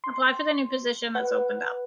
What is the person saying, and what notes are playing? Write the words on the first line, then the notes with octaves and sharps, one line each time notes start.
Apply for the new position that's opened up.
C6
B4 F#5